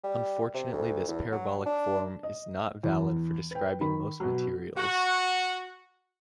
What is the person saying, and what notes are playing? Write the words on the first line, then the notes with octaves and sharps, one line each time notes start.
Unfortunately, this parabolic form is not valid for describing most materials.
G3
C3
D2
E2
F#3
D4
D#5
E2
B4 G5
D#3 B5
B2 F#3
F#4